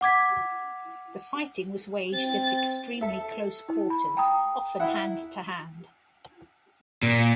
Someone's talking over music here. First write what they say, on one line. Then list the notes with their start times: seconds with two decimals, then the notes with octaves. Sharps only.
The fighting was waged at extremely close quarters, often hand-to-hand.
0.01 F#5 D6 G#6 B6
2.13 C4 A6
3.01 A4 E5
3.69 E4
3.90 B5
4.17 G5 A#5 D#6
4.80 E4 E5 F#5
7.03 A#2